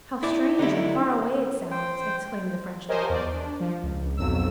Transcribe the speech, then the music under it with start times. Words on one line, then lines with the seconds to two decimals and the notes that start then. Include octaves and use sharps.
"How strange and far away it sounds!" exclaimed the French doll.
0.23 E4 D5
0.59 D3 D#4 E4 G4
1.71 C5 G5
2.88 G4 A#4 C5 C#5 D#5 G#5
3.09 E2 C5 D5
3.32 D4
3.60 F3
3.83 C#2
4.17 B1 F2 F#3 E6